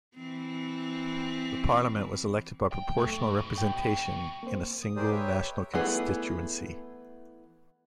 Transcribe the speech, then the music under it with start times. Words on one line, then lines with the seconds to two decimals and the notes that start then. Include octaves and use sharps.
The Parliament was elected by proportional representation in a single national constituency.
0.15 E3 C4
2.72 G5
2.98 C2 F#2 B2 A3
3.24 G#2
3.58 G5
4.43 A#3 C4 C5
4.82 D#6
4.96 G4 G#4 A#4 C5 D5 D#6
5.11 B4 C#5 E5 G5
5.74 E3 A3 B3 G#4